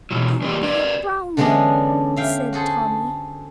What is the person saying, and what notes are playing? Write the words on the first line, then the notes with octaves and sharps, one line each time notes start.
"I'll be a brownie," said Tommy.
B2 E3 F#3
E3 G#3 A#3 G4 D5
A#4 B4 D5
D3 E3 G#3 B3 C#4 D4
E5 F5 G5
F#4 G#4 A4 C5